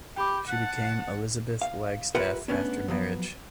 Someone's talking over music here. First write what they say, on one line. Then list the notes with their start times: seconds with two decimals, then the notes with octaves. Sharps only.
She became Elizabeth Wagstaff after marriage.
0.16 G4 G5 B5 D6
0.48 F#5 A5 F#6
1.62 F5
2.15 F4 G4 A#4 B4 E5 F#5
2.48 A3 B3 C#4 D4
2.88 F3 F#3 B3